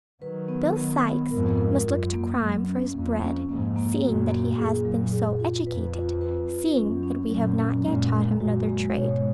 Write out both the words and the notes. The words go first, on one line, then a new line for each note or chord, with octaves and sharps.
Bill Sykes must look to crime for his bread, seeing that he has been so educated, seeing that we have not yet taught him another trade.
D#3 F#3 B4
B3
B3
B3
F2 G#2 A#4
A#4
F#2 F4
A#3
F#2 F#3
C#4
F2 A#3
C#4
F2 G#2 A#3
A#3
F#2 A#2 F#4
A#3
F#2 A#2 G#4
F#3
G#4
F4
F2 B4
F4
B4
F4
F#2 C#4
C#4
F#2 A#2 F#3
C#4
F#2 A#2 G#3
G#3
F#2 A#2 F#4
G#3
G#2 B2 C#5